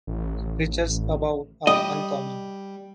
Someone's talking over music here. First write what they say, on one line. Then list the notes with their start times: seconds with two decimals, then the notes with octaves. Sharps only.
Temperatures above are uncommon.
0.07 A1
1.67 G3 D#5